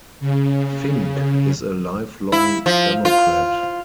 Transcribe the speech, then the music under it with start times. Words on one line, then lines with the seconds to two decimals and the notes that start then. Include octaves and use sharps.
Fink is a lifelong Democrat.
0.20 C#3
2.32 E4
2.66 F3
3.05 F4